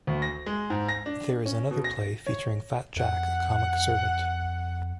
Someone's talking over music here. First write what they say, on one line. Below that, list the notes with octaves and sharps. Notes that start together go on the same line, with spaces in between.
There is another play featuring Fat Jack, a comic servant.
D2
A#6
G#3
G#2
A#6
D4
C#4
B2
A#6
C#5
F2 F#5